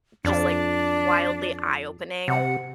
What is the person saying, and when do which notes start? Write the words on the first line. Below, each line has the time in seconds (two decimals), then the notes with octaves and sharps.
just, like, wildly eye-opening,
0.25 F2 D4
2.28 C3 F#5